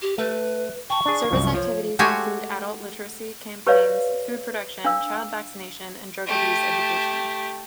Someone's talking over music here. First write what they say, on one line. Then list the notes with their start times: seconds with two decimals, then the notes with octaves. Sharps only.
Service activities include adult literacy campaigns, food production, child vaccination and drug abuse education.
0.02 G4
0.18 A3 B4
0.90 G5 A5 C#6
1.06 D4 G#4
1.31 C2 F#2 F3
1.54 F3 C#5
1.99 G#3 A3 F#4 G4 C#5 G#5
3.67 G4 B4 C#5 D5 E5 F5
4.84 D4 F5 E6
6.27 A3 G4